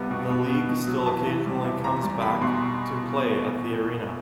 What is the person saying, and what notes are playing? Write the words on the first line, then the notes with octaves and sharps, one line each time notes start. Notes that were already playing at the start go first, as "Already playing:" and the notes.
The league still occasionally comes back to play at the arena.
Already playing: C#2 C3 G3 B3
B2
B2
B3
B2
F#3
E2 A5
E3
G3
C3
E2 A#5
G3
E2 B5
B2 C6